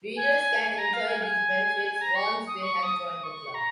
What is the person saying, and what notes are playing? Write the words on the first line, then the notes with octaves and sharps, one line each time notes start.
Readers can enjoy these benefits once they have joined the club.
G#5
G#5
A#5
F5
G#5
F5
G#5
A#5
C#6
D#6
C#6
D#6
D#6
D#6
C#6
A#5